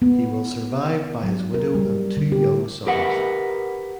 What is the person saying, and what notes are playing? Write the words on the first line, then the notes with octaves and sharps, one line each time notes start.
He was survived by his widow and two young sons.
B3
F#3
A#4
G3
D3
G4
G4 A#4 B4 F#5